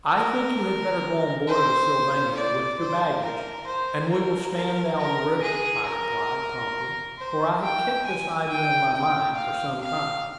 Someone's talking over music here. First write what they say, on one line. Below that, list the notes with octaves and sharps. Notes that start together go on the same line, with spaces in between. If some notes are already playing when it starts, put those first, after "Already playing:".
"I think you had better go on board of the Sylvania, with your baggage, and we will stand down the river," I replied, promptly, for I had kept this idea in my mind for some time.
A#4
C5
D5
C5
A#4
C5
A#4
A#4
A#4
G#4
A#4
C5
G5
G#5
G5
G5
F5
F5